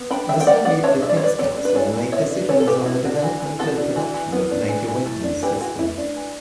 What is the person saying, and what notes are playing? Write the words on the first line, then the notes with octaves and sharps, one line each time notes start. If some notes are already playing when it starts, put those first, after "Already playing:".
The Soviet Defense Council made decisions on the development and production of major weapons-systems.
Already playing: B3
D4 G5 B5
G3 E5 G5
G5
G3 D5 F#5
B3 D5 F#5
D4 C#5 E5
G3 E5
D5
C#5
G3 B4 D5
B3 A4 C#5
D4
B4
E3 A4 C#5
E3
B3 C#5 E5
D4
E3 A4 C#5
A4
E3 G4 B4
F#4
B3 E4
D4 F#4
E3 F#4
E3
B3 F#4 A4
D4
E3
E3
B3
D4
E3
E3
A3
D4
E3 G4 B4
E3 F#4
A3 E4
D4
E3